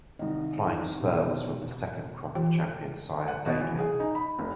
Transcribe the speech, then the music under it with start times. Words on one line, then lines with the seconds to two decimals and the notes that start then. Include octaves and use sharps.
Flying Spur was from the second crop of champion sire Danehill.
0.19 C2 D#3 D#5
1.00 B2 D4 G4
2.35 E3 F4 G4 G5
3.28 F#5
3.46 B2
3.60 E3
3.78 G#4
4.00 D#4
4.15 B5
4.39 F1